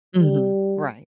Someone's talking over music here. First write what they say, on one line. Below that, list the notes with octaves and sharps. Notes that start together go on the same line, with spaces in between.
Mhm, right.
G3